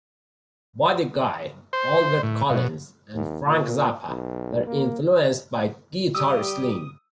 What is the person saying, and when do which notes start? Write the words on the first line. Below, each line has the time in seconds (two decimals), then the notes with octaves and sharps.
Buddy Guy, Albert Collins and Frank Zappa were influenced by Guitar Slim.
1.73 C5
2.23 A2
2.50 B2
3.14 D#2
3.47 A#2
4.08 B1
4.67 A#3
6.15 G3 G4 D#6 E6